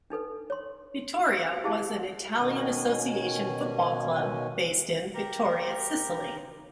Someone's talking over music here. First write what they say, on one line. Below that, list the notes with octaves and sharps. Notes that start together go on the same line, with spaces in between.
Vittoria was an Italian association football club, based in Vittoria, Sicily.
D4 D#4 A4 B4
C#5 C6
E4 G4 G#4 D#5 F5 A5
B2 D#3 C#4 G#5
G4 A#4 A#5